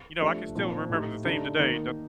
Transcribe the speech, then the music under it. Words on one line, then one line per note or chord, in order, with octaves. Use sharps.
you know, I can still remember the theme today.
F3 A3 D4 G4
A#2 F3 C4 D#4
A2 A3 D#4 G4
D3 A3 D#4 G4
D#3 A#3 D#4